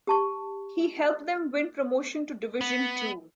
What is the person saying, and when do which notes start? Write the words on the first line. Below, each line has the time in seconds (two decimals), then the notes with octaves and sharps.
He helped them win promotion to Division Two.
0.07 G4 A5 C#6
2.61 B3